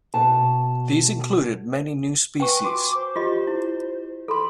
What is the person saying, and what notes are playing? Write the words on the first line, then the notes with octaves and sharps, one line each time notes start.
These included many new species.
B2 A5
B4 G5 G#5 C#6
F#4 D6
C5
F4 G4 D#5
E4
A4 B5 C6